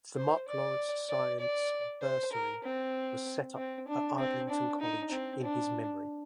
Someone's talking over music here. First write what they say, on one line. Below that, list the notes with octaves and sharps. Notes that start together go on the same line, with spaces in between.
The Mark Lawrence Science Bursary was set up at Ardingly College in his memory.
C5
D5
D5
D5
C5
A#4
C4
C4
D4
C4
D4
D#4
C4
D4